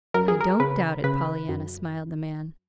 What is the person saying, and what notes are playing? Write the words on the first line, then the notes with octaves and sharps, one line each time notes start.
"I don't doubt it, Pollyanna," smiled the man.
F#2 A#4
G#4
A#4
C#3 B4
C#3 B4
F#2